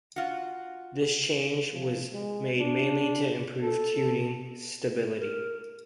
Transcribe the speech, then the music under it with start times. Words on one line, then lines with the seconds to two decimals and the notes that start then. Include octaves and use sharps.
This change was made mainly to improve tuning stability.
0.16 F4 F#4
1.73 F3
2.13 G#3
2.59 D4
3.62 A4
5.19 A#4